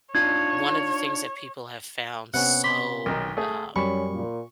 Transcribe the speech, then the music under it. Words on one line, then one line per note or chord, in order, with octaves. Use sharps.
One of the things that people have found so, um,
D4 D#4 F4 C#5 G#6
C3 B3 C#4 F#5
B5 C6 D6
B1 D#3
A3 G#4
F#2 G3 C#4 G#5 B5 C#6
A#2